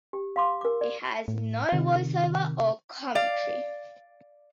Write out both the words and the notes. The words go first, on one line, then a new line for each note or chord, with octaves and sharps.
It has no voiceover or commentary.
G4
F5 C6 D6
A#4 D6
D5
A2
C3 D#3
D5 F5